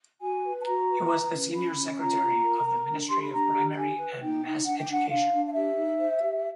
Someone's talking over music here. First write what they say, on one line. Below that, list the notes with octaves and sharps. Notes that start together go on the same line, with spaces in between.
He was the Senior Secretary of the Ministry of Primary and Mass Education.
F#4 G#5
B4
A5
F#4 A#5
B4
B4
C#4
C#4 B5
C#4
F4 A#5
F4
A#4
A#4
D4
G4 C6
B5
D4 A#5
G4
G4 G#5
B4
D#4 G5
D#4
D4 F#5
G5
D4 F#5
D4 F5
D4
F5
G4 E5
D#4
C5
G4